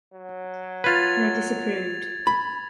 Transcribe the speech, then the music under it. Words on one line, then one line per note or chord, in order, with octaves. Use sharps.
And I disapproved.
F#3
F4 B4 G#6 A6 F7
B5